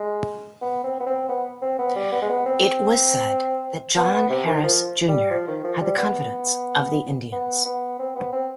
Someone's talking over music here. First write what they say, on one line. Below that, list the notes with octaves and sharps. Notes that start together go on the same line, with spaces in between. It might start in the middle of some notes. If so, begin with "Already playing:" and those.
It was said that John Harris Junior had the confidence of the Indians.
Already playing: G#3
B3
C4
B3
C4
B3
C4
B3
G3
B3
G#3
B3
C4
B3
B3
C3
D#3
F3
G3
F3
D#3
F3
G3
B3
B3
B3
C4
B3
C4